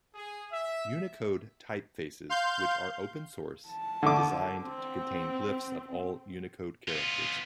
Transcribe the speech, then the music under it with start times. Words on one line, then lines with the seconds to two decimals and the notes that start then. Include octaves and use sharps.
Unicode typefaces which are open-source and designed to contain glyphs of all Unicode characters.
0.15 G#4
0.52 E5
2.29 F5 C6 G6
3.68 A5
4.03 D3 D6
4.64 C4
6.88 B3 F4